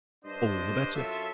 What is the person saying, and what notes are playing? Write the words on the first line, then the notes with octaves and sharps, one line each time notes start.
All the better.
G2 D4 C5 D#5
F#2 F4 A4 C#5 E5